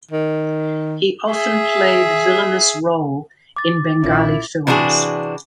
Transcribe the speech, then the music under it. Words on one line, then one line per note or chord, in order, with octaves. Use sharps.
He often played villainous role in Bengali films.
D#3
G#4 E5
D6 A6
A#1 C#4 E4 F4 A#4
C3 E3 D4 F#4 G#4